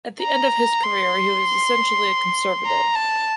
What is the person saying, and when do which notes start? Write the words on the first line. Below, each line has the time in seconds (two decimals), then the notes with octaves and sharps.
At the end of his career, he was essentially a Conservative.
0.22 A#5
0.83 C6
2.66 A#5
2.95 A5